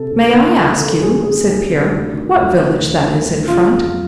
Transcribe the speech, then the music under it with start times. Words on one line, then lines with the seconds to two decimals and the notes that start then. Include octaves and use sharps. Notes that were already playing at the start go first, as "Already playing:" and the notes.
"May I ask you," said Pierre, "what village that is in front?"
Already playing: C3 A4
0.11 D2
0.29 B4
0.33 D#3 A#4
0.56 D2
0.77 C3 A4
1.01 D2 G#4
1.22 D#3 G#4
1.45 D2 G4
1.68 C3
1.91 D2
2.13 D#3
2.36 D2
2.58 C3
2.80 D2
3.03 D#3
3.25 D2
3.48 C#3 F4
3.70 F2
3.92 F#3